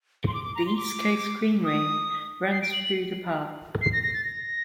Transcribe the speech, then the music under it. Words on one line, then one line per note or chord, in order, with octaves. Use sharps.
The East Coast Greenway runs through the park.
C6
D6
D6
A#5
C6
D6
D#6
C7
D7
F#7
F#7
C7
A#6
A#6
A6
A#6